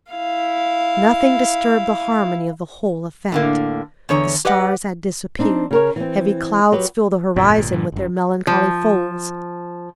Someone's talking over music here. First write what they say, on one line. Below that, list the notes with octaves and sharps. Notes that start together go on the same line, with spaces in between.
Nothing disturbed the harmony of the whole effect. The stars had disappeared, heavy clouds filled the horizon with their melancholy folds.
E4 F5
A2 D3 A#3
E2 D3 C#5 A#5
G4 B4 D5 D#5 F#5
C4 D4 D#4
C#3 A#4 C#5
E3 C4
F#3 G4 B4
G1 F2 A#2
G1
G2 D3
G1 F#2
F3